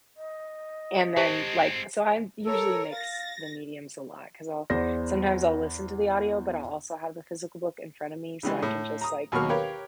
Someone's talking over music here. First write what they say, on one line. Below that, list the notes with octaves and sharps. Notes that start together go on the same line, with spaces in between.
and then, like, so I usually mix the mediums a lot, 'cause I'll sometimes I'll listen to the audio, but I'll also have the physical book in front of me, so I can just, like,
D#5
G#3 C4 G4 C5 A5
A4 A#4 C#5
F5 A6 A#6
E2 G#4 C5 D5 A#6
C#3 E3 G3 G#3
A2
A#5 D#6
D#2 B2 F#3 A#3 C#6 F6
G4 A#4 B4 C#5 F5